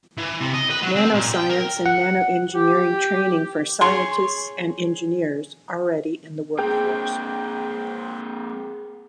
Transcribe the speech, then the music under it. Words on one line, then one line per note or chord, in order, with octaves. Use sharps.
Nanoscience and Nanoengineering training for scientists and engineers already in the workforce.
E3
C3
D#5
B4
F#3
C4
A#2
G5
A#4
F#5
G4
G#4 C#5 C6
A#3 C4 G#4 G5